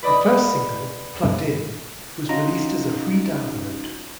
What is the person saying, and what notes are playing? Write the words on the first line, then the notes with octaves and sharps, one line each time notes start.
The first single, "Plugged In", was released as a free download.
B4 D5 D#5 B5
C#4 D#4 F4 F#4 A#5